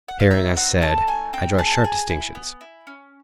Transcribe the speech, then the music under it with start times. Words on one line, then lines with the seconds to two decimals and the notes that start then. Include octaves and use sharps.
Herein, as said, I draw sharp distinctions.
0.08 F#5
0.20 F5
0.31 D#4 E5
0.56 C4 F#5
0.82 A3 A5
1.07 D#4 G#5
1.33 C4 G5
1.58 G#4 A5
1.72 A5
1.84 G#4 G#5
2.10 E4
2.35 B3
2.61 E4
2.87 C#4